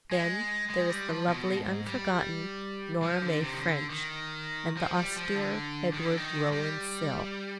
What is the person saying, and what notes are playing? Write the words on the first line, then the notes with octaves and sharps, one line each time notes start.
Then there is the lovely unforgotten Nora May French and the austere Edward Rowland Sill.
G#3
G#3
G3
F3
B2
G#2
G3
F3
D3
C3
D#3
D3
D#3
F3
G3
F3
D3
D#3
D3
D#3
G3